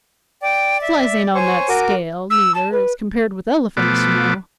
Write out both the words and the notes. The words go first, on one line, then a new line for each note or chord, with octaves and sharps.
Flies an't on that scale, neither, as compared with elephants, you know!
D5 G5
E5
C5 C#5 G#5 C#6
F#4 A#4 D6
E6
A5
B4
B2 F3 A3 B3 D6